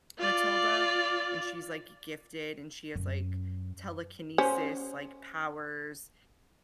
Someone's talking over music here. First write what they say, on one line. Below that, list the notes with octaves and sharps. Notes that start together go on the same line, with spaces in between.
"Matilda," and she's like g gifted, and she has, like, telekinesis, like, powers
F4 D5
F#2
C#4 C5